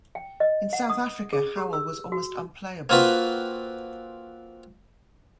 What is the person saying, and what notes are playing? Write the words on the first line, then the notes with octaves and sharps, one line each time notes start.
In South Africa Howell was almost unplayable.
G5
D#5
F#5
D#6
G#4
G4
E6
F#4
A#3 C4 F4 F#4 B4